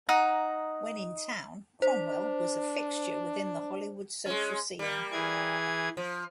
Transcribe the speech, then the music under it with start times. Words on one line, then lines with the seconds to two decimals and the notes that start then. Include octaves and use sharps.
When in town, Cromwell was a fixture within the Hollywood social scene.
0.09 D#4 F#5 A#5
1.82 D4 C5
4.26 G#3 C#4
4.79 G3 A#3
5.12 E3 G#4 G#6
5.97 F3